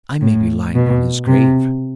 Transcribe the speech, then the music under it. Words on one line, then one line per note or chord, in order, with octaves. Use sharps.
I may be lying on his grave.
A2
B2
C3